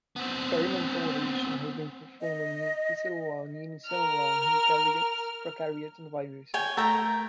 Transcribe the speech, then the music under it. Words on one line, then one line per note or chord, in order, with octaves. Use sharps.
Experimental evolution has been performed on multicellular and unicellular eukaryotes, prokaryotes, and viruses.
B3 C4
D#5
A#4 F6
C#5 G5 G#5
A3 A#4 G5 A#5